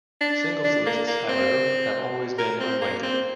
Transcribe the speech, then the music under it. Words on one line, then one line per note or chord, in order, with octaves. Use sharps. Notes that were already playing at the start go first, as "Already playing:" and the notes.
Singles lists, however, have always been unweighted.
D4
D4
A#3
A#3
C4
A#4
C4
A#3
C4